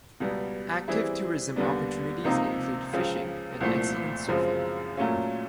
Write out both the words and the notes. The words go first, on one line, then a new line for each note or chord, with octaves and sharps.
Active tourism opportunities include fishing and excellent surfing.
C#2 B2 G3 B3
E3 G3 C4 E4 G#4
D#2 D3 G3 B3 D4
C#2 C3 F3 A#3 D#4
C#2 C#3 F3
C2 A#2 F3 A3
F#2 C#3 F3 G#3 C4
A#2 F#3 A3 C#4 F4